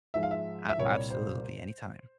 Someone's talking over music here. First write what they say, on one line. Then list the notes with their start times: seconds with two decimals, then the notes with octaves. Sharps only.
A absolutely, anytime.
0.14 G#2 F3 G#3 E5
0.23 F5
0.31 E5
0.69 E5
0.78 C2 A#2 G3 C#5
1.10 C5